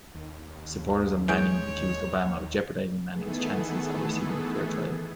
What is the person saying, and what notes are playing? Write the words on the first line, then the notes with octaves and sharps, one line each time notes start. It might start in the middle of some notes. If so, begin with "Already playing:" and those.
Supporters of Manning accused Obama of jeopardising Manning's chances of receiving a fair trial.
D#2
E3 G#3 C#4 G#4 C#5 G6 D7
D#3 E3 A3 B3 G#4 A4